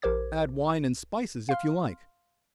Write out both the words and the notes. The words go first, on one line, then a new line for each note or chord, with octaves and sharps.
Add wine and spices if you like.
A#1 G4 A#4 C5 D6 G#6
F5 C6 F6